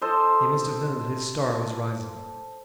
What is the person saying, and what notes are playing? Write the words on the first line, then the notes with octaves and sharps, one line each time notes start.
He must have known that his star was rising.
A4 C5 D#5